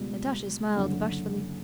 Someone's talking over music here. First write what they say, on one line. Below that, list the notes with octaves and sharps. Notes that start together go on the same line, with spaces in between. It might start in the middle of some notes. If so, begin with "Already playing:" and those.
Natasha smiled bashfully.
Already playing: C#2 B2 G3
F#1 F#2 D3